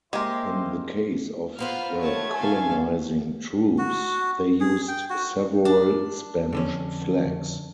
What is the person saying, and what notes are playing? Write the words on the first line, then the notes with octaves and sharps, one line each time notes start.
In the case of the colonizing troops, they used several Spanish flags.
G#3 A#3 E4 G4 A#4 C5
A#3 B3 F4 B4 C5 F6
A3 C#5 A5 G#6
A4 F5 G#5
F#4
G#4
G5
F#4
D4
F2 D3 C#4